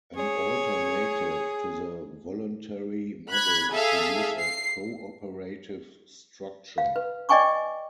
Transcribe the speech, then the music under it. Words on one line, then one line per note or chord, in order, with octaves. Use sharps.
An alternative to the voluntary model is to use a co-operative structure.
G#4 C#5
B5 F#6 G#6
G#4 A4 E5 F5
C7
F5
B4
D5 D#5 G5 G#5 C#6 D6